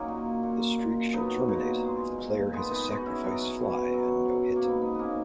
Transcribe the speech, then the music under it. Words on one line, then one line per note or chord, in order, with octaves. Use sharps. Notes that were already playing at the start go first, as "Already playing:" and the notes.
The streak shall terminate if the player has a sacrifice fly and no hit.
Already playing: F#3 A#3 C#4 D#4 F#4
A#2
A#2
A#2
F#3 B3 D#4
A#2
G#3
A#2
G#3 B3 D#4
B3 D#4
G#3 D#4 F#4
C#4 E4
F#3 B3
B2
F#3
F#3
A#3
G#2 B3
B3
G#2 A#3 B3 C#4